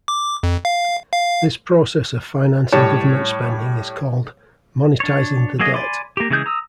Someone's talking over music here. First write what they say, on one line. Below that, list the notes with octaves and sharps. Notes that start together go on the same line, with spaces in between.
This process of financing government spending is called "monetizing the debt".
D6
F2
F5
F5
A2 G3 C#5 A5
D4 C#5
F#3 A#3 G#4 D#5
D5 G#5 B5 C6 D6
A#3 G4
C#3 E3 G#3 G#4 G6
A#5 D#6 E6